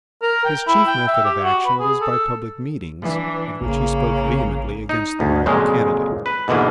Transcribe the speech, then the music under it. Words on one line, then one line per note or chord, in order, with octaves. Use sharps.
His chief method of action was by public meetings at which he spoke vehemently against the rival candidate.
A#4
G5
E4
G5
E5
G4
F#4
B4
G#4
A4
E3 D4
A1 C#3 A#3
D#4
D2
F2 A#2 C#3 F#3 G#3
B4
G#2 B2 D3 E3 A#3